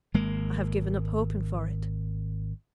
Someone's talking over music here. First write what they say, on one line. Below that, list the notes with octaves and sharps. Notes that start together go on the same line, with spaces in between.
I have given up hoping for it.
G#1 G#3 A#3